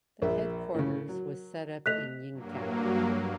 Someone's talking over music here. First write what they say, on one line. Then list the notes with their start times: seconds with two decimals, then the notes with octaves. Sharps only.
The headquarters was set up in Yingkou.
0.22 A#1 A#4 E5
0.75 A2 C#3
1.09 F#3
1.86 A3 D#5 F#6 B6 F7
2.32 G2 F#3 A#3